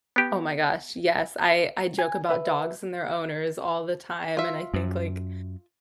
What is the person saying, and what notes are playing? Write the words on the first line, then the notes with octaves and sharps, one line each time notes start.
Oh, my gosh, yes, I I joke about dogs and their owners all the time, and I think, like,
B3 G4
G#5
B4 E5
F4 E5
F#2